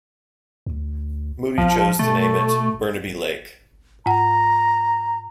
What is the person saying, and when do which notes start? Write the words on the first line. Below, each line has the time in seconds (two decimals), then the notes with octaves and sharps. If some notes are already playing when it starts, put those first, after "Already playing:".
Moody chose to name it Burnaby Lake.
0.66 D2
1.58 A#1 F3
1.99 B2 A3
4.06 G#2 F#5 A#5